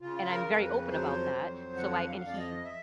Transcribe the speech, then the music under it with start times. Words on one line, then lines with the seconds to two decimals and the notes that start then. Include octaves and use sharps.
and I'm very open about that. So I and he
0.02 C#3 F4
0.30 A#4
0.46 F2
0.60 B4
0.89 F#3 C5
1.33 F2
1.77 D3 F#5
2.07 F5
2.21 F2
2.27 D5
2.36 D#5
2.65 E5